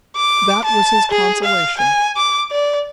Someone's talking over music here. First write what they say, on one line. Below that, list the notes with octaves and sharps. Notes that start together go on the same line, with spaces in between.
That was his consolation.
D6
A5
G#4
F5
G#5
D6
D5